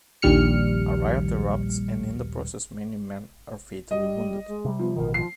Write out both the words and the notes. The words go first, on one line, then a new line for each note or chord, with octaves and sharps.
A riot erupts and in the process many men are fatally wounded.
A#1 D#2 G3 F6 C#7
G3 D#5
G#3
C3 G3
F3 B3
A1 B2 D#3 A#4
F3 C7